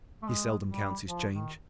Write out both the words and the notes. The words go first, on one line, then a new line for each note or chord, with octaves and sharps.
He seldom counts his change.
A3
G#3
G3
F3
D#3